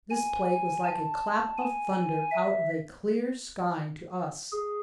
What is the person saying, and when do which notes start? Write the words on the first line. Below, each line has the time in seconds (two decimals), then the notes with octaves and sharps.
This plague was like a clap of thunder out of a clear sky to us.
0.11 G#5
0.84 A5
1.58 G#5
2.31 E5
4.52 G#4